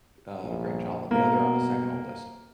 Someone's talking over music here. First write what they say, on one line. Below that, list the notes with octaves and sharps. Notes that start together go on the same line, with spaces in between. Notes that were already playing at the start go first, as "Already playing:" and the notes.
uh, grandchild, on the other, I'm the second oldest.
A#1
B2 A#3